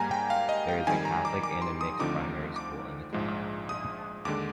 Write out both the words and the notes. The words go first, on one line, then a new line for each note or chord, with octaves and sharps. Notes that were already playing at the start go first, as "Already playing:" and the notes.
There is a Catholic and a mixed primary school in the town.
Already playing: G#2 G3 A#3 G#5 A#5
G5
F5
D#5
G5
F2 D#3 G3 G#5
A#5
D6
D6
C6
D#6
D2 D3 F3 C4 D#4 D6
D6
A#1 G#2 F3 G#3
D#6
D#2 D3 G#3 D6